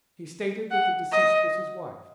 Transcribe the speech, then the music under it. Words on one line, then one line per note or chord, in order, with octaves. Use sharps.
He stated that the deceased was his wife.
F#5
D#5